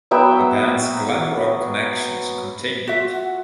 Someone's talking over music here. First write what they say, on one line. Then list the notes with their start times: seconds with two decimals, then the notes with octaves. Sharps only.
The band's glam rock connections continued.
0.11 F#3 B3 E5 G5
2.87 F4 F#4 E5
3.11 F#5